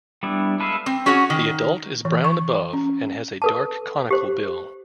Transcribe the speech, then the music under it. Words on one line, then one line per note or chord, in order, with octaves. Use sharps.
The adult is brown above and has a dark conical bill.
G3 B3 D4 E4
G#3 A4 B4 E5 F5
C4
C#4 F#4 G#4 C#5 F#5
D#3
E3
C#6
C#4
A4 B4 A5
G4 C5